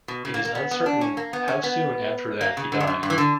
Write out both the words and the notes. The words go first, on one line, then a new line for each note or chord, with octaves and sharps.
It is uncertain how soon after that he died.
B2
C#3
A#3
A#3
B3
B3
D4
C#4
A#3
B3
C#4
B3
A#3
C#3
D3
G2
F#2
G2
E3
D3